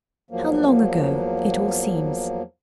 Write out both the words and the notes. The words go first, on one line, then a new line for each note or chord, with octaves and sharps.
How long ago it all seems.
E2 F3 F#3 A#3